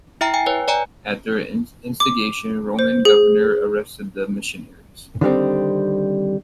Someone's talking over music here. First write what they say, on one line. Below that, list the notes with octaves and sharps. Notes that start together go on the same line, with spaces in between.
At their instigation, Roman Governor arrested the missionaries.
E4 E5 G5 A#5
G5 G#5
B4 C#5
C#5 D5 G#5 A#5
D6
C5
G#4
D3 D#3 G3 C4